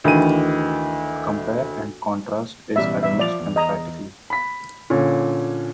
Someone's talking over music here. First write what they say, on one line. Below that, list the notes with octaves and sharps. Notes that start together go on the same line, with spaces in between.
Compare and contrast is arranged emphatically.
D2 D#3 E3 D#7
A1 B2 G3 E5
E5
F3 D5 F7
E2
D#5 A#5
B5 B6
A#2 D3 C#4